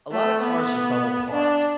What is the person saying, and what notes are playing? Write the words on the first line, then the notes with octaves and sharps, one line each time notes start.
A lotta cars are double-parked.
A3
B3
D4